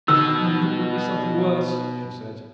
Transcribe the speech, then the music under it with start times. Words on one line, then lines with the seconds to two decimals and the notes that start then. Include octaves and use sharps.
'Oh, it will be something worse,' she said.
0.08 B2 D#3 B3 E6